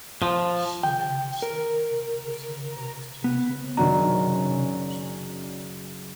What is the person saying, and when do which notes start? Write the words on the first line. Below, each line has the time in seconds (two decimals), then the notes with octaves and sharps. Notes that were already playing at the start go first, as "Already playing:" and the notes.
She later served as the President of the Student Union of Yadanabon University.
0.22 F3
0.83 G5
1.42 A#4
3.24 B3
3.77 F#1 D#3 F#3 C#4 D4 A#5